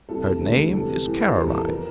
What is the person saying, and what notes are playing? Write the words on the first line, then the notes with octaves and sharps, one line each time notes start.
'Her name is Caroline.
C2 C3 G3 A4
E1 D2 D3 G3
E2 C3 G3 A4
E2 E3 G3
C5
E2 E3 G3 A#4
A4
A4
F3 A#4